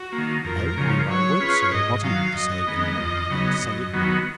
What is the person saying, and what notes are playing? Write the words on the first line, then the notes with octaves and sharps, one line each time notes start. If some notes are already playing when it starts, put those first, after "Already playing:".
No, and I won't say what I have to say in the morning; I'll say it now.
Already playing: F#4
A#3
D#3
F2 A#4
C#3 F3
F#3 C#5
C#4 F4 G#4 B4
G#2 D#5
D#3 F#3 F5
F#2 D#5
D#3 G#3 B3
F2
C#3 F#3 B3 D#4
F#2
D#3 F#3 B3 F#4